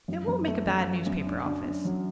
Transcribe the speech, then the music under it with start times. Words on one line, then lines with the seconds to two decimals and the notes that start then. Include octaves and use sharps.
It won't make a bad newspaper office.
0.08 F#2
0.27 F#2
0.47 A3
0.67 F#2
0.87 F3
1.06 F#2
1.26 D4
1.46 D4
1.65 D4
1.85 F#3